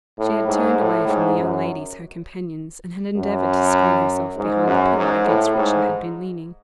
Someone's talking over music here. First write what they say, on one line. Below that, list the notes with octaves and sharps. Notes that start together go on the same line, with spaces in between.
She had turned away from the young ladies her companions, and had endeavoured to screen herself behind the pillar against which I had been leaning.
A2
G#2
A2
G#2
F#2
F#2
G#2
F#2
G#2
A2
G#2